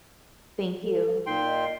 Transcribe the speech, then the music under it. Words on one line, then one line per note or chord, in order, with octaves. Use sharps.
Thank you.
A4
A#2 D#4 G5 C6
D#5